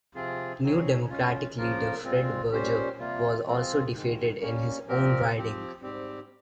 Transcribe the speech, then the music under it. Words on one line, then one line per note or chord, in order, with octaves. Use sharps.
New Democratic leader Fred Berger was also defeated in his own riding.
C3 F3 C4 F4 G#4
F3 C4 D#4 G#4 C#5
F2 C#3 G#3 C#4 F4
C#3 F3 A#3 F4 A#4
A#2 G#3 C4 F4
A#2 G3 C#4 G4 C5
C3 G3 A#3 F4
F3 G#3 C4 F4
G#2 D#3 G#3
G3 A#3 C#4
A#2 F3 C4 G4 A#4
F3 C4 G4
G#2 G3 C4 G4